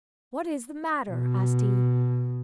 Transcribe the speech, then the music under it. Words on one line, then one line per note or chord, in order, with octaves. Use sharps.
'What is the matter?' asked he.
B2